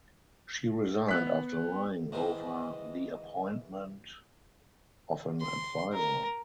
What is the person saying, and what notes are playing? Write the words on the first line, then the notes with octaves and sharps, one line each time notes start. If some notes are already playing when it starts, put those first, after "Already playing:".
She resigned after lying over the appointment of an advisor.
B3 F#6 B6
G#2 D#3 E3 D#5
C6
A#4